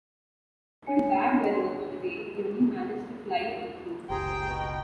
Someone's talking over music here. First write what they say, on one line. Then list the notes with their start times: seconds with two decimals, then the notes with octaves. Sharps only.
Due to bad weather on the day he only managed to fly under two.
0.87 D4 C#5 G#5 C#7
4.10 F#1 C#2 G4 G#4 C5 G5 A#5
4.49 B2